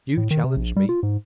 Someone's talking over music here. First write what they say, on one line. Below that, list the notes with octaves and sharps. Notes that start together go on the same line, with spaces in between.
You challenged me.
A2
D#3
C3
A#1
G3
F4
G#2